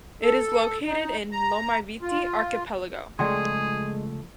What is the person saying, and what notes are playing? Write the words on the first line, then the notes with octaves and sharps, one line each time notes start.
It is located in Lomaiviti Archipelago.
A4
D#4
A#5
F4
C#2 F3 G#3 A3 G#4 D5 G5 C6